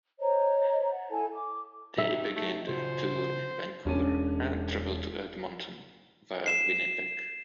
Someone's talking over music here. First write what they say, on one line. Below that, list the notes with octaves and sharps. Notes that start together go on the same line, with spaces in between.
They begin the tour in Vancouver and travel to Edmonton, via Winnipeg.
C5 C#5 D#5 A#5
F#5
E4 A4 G#5 A5
D6
F#3 D#4 G4 E5
A3
C#3 F4 F#4 C5
E1 C#4 D4 D#7
C7 E7